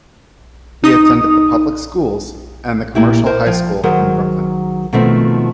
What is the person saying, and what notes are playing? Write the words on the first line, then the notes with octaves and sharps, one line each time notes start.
He attended the public schools and the Commercial High School in Brooklyn.
D#4 D#6
A#2 A#3 E4 G4
A#4 C5
F3 G5
D#3 F#3 G#4 A#4 C5
B2 D#3 F3 A3 C4